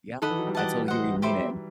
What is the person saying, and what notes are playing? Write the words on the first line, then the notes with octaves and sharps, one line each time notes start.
Yeah, I totally hear what you mean, and,
D#3 A4 D#5 F#5 B5
E3
F#3
G3
E3 G4 D#5 F#5 A5
C5 D#5 F#5
G4 C5 E5 B5